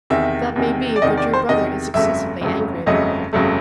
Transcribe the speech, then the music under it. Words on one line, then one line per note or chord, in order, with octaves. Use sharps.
"That may be, but your brother is excessively angry about it."
E2 C3 D#3 E5
E2 C3 D#3
D5
E2 C3 D#3 D#5
D5
C5
E2 C3 D#3 D#5
G1 F2 C#3 F#3 A3 E5
G1 F2 C#3 F#3 A3
G1 F2 C#3 F#3 A3 D#5
G1 F2 C#3 F#3 A3